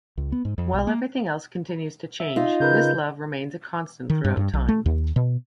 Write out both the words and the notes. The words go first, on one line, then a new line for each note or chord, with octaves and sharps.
While everything else continues to change, this love remains a constant throughout time.
C#2
B3
G#2
F2
B1
A#3
E5
D#4 F4
C#3 A#4 B4 G6
D#3
G2
G2
B1
A3
D#2
B2